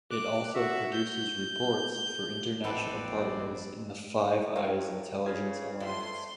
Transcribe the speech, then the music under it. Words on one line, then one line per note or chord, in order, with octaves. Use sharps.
It also produces reports for international partners in the Five Eyes intelligence alliance.
D6 F#6
F#4 E5
G6
A1 F2 A2 A#3 C4 A4 B4 D5
A2 A#4 C5 C#5 F5 G5
C#3 F4 G#6
F2 A3 B3 E4 C6